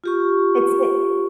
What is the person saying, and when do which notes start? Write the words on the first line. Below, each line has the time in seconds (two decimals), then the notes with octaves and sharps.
It's it
0.04 F4 G4 C#6